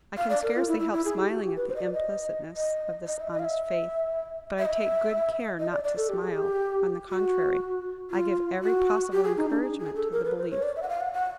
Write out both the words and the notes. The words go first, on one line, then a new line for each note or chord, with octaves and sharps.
I can scarcely help smiling at the implicitness of this honest faith; but I take good care not to smile; on the contrary, I give every possible encouragement to the belief.
F5
D5
A#4
F4
E4
E4
E4
G#4
G4
F#4
G4
B4
C5
D#5
D5
D#5
D#5
D#5
E5
D#5
F5
E5
E5
D#5
E5
D#5
D5
D5
A4
G4
G#4
G4
F#4
F4
F4
F#4
G4
G#4
D#4
D4
G#4
G#4
A4
A#4
B4
C5
C#5
D5
E5
F#5
F5
F#5
F#5